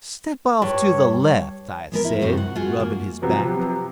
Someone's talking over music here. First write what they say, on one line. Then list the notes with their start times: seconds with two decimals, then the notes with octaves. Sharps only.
"Step off to the left," I said, rubbing his back.
0.62 G2 C#5
1.92 G#3 B3 A#4
2.04 E4 A#4
2.21 D2 G2 C#3 C4 F#4 C5
2.37 F#5
2.55 F4 F#4 G#4
2.80 A#3
3.22 C3 F3 F#3 B3